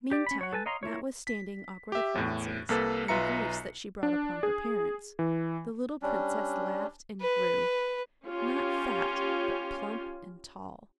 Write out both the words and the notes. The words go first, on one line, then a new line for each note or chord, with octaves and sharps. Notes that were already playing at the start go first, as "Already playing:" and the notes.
Meantime, notwithstanding awkward occurrences, and griefs that she brought upon her parents, the little princess laughed and grew--not fat, but plump and tall.
G4 D5
C#4 B5
C#5 F#5
A4 B4 G#5 A5
C#5 D#5 F5 A#5 C6
A#3 E4 F4 C#5
B6
G4 E5
E2 A2
C2 A#3 A4 B4
B1 F4 B4 E5 A#5 C#7
D4
G#4
E3
G3 C#4 D4
B4
C#4 F4 G4